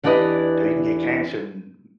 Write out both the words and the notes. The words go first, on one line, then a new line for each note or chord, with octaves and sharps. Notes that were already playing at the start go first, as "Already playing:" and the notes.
So you can get cancer n
E2 E3 D4 G4 B4 D#5